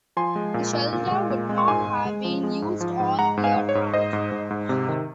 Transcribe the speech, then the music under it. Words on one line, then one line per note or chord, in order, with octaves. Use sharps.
The shelter would not have been used all year round.
F3 G#5 C6
G#3
A#2
A#2
A#2
G#3
A#2
G#3
C#6
G#2 G#5 C6
G#3
G#3
F3
G#3
G#2
F3
G#2
G#3 F#5 A#5
G#2
F5 G#5
G#2
C#5
G#2
G#2 C5 D#5
G#2
G#2
G#2
C3
D#3